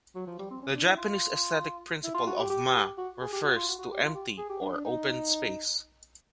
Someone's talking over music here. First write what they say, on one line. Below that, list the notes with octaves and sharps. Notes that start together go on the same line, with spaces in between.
The Japanese aesthetic principle of Ma refers to empty or open space.
F#3
F3
G3
C4
C#4
D4
E4
F4
E4
F4
F#4
G4
G4
F#4
G#4
G4
F#4
F4
F#4
F#4
G4
F4
G4
G#4
G4
D4
D4
D#4